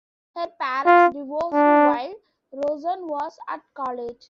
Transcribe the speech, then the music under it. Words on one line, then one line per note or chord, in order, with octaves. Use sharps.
Her parents divorced while Rosen was at college.
F4
D4